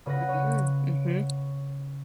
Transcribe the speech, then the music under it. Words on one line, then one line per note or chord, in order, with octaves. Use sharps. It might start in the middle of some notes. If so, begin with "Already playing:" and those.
Mhm, mhm.
C#3 B4 F#5 A#6
C#5 D#7